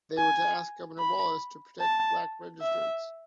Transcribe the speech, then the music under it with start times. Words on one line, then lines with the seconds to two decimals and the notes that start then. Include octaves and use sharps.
They were to ask Governor Wallace to protect black registrants.
0.18 G#5
0.99 B5
1.80 A5
2.61 E5